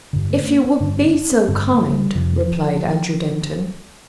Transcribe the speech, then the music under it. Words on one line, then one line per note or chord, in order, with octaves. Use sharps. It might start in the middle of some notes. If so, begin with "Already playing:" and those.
"If you would be so kind," replied Andrew Denton.
G2 D3
A3
A#3
D4
C4
G2 D3 D4
C4
D4
C4
G2 D3 C4
A#3
G3
F2 C3 F3